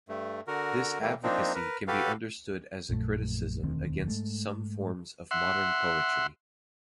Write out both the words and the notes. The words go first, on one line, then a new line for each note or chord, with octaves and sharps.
This advocacy can be understood as a criticism against some forms of modern poetry.
G2 A3
D3 F#4 A#4
A2 E3 G3 A#3
F3 A#3 C4 D4 D#4
A#4 B4
F#4 G4 A4 B4 F5
A#1 F#2 A#2 A3
E1 D2 D#3 C4
G#2 G#3 A3
E5 F#5 C6